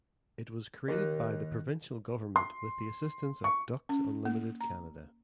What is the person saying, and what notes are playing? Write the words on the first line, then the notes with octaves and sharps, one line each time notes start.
It was created by the provincial government with the assistance of Ducks Unlimited Canada.
D#2
C6
C#6
C#4
A#3
A#5